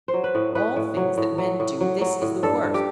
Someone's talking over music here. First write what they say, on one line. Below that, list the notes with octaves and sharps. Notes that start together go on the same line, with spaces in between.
Of all things that men do this is the worst.
C5
F#3
B4
A2
A2 B4
A2
F#3
A2
F#3
A2
F#3
F#3
A2
G2 A4
G2
G4